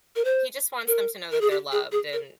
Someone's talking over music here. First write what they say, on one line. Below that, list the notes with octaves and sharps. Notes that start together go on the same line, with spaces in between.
he just wants them to know that they're loved and
A#4
C5
A#4
A#4
G#4
G4
G#4
G#4
A#4